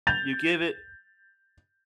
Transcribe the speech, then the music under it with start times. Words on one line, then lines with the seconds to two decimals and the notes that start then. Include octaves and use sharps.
you give it,
0.07 G6 A6 F7